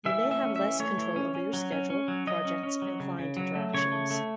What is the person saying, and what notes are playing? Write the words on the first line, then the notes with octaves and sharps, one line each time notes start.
You may have less control over your schedule, projects, and client interactions.
E3 E5
A3
E5
C#4
E5
E3
A3 C#5
E3
C#4
C#4
F#3
C#4
C#4
F#3
F#3 D#5
C#4
C#4
F#3
C#3
C#3
F#3
A3
C#3 C#5
A3
A3